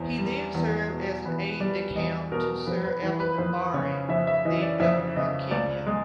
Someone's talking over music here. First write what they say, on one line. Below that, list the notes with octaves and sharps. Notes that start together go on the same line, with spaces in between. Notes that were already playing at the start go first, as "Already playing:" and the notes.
He then served as an "aide-de-camp" to Sir Evelyn Baring, then Governor of Kenya.
Already playing: E2 C5
G3
E2
B2
E2 B4
G3 D5
E2 D#5
B2 A#4
F2 B4
B4
E3 B4
B4
F2 C5
C#3 C#5
F2 E5
E5
E3 D#5
D5
F2 E5
C#3 D#5
C#2 D5
G#3